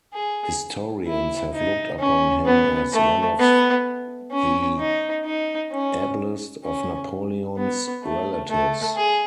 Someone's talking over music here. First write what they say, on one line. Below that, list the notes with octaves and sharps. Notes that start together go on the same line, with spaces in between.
Historians have looked upon him as one of the ablest of Napoleon's relatives.
G#4
E4
D#4
C#4
B3
A3
B3
C#4
D#4
D#4
C#4
C#4
B3
A3
A3
G#4